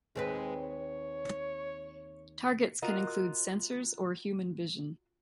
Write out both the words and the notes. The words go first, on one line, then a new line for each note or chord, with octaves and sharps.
Targets can include sensors or human vision.
D#2 G#3 C4 B4
C#5
F4 F#4 A#4 D#5